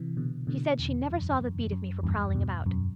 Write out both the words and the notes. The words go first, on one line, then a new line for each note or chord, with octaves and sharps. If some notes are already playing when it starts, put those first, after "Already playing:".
She said she never saw the beat of me for prowling about.
Already playing: C3 E3
B2 D3
B2 D3
E2
F#2
F#2
F#2
E2 G2
G2 B2
F#2